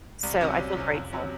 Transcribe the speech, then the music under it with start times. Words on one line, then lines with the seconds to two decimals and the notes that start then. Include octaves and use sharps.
So, I feel grateful.
0.23 C2
0.41 C3 F#3 C#4
0.58 C2
0.77 C3 F#3 C#4
0.95 F2
1.12 C3 F#3 C#4